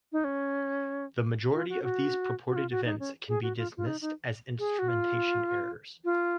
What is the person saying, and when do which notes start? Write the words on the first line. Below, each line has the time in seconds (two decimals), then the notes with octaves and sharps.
The majority of these purported events can be dismissed as instrumentation errors.
0.12 D#4
0.24 C#4
1.54 F4
1.69 F#4
1.83 F#4
2.49 F#4
2.56 F4
2.71 F#4
2.85 D#4
3.00 C#4
3.29 G#4
3.43 F#4
3.57 F4
3.77 F4
3.86 D#4
4.01 D#4
4.59 G#4
4.79 F#4
4.88 F4
6.05 F4